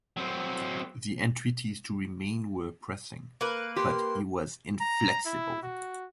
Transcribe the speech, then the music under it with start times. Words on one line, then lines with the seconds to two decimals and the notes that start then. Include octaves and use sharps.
The entreaties to remain were pressing, but he was inflexible.
0.17 F#3 C4
3.41 A#3 B4
3.76 G4 C6
4.80 A#5
5.26 E4
5.63 F#4